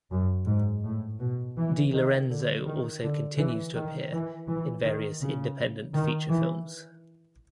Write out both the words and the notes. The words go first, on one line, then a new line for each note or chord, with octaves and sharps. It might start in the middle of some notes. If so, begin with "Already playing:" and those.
DeLorenzo also continues to appear in various independent feature films.
F#2
G#2
A2
B2
E3
D#3
D3
D#3
D3
E3
D#3
E3
E3
D#3
C#3
D#3
E3